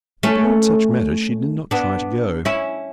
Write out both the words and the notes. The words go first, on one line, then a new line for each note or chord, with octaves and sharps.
But beyond such matters she did not try to go.
A3 C#4
B3 D4
C#4 E4